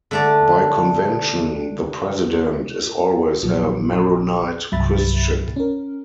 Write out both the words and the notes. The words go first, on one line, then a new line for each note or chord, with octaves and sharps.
By convention, the president is always a Maronite Christian.
D3 A3 D5
A#1 A#2 F3 F#3
C2 G2 F#3 E5 B5 A6
C#4 A#4